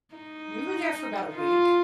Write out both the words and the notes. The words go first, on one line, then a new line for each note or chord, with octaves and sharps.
We were there for about a week.
D#4
F4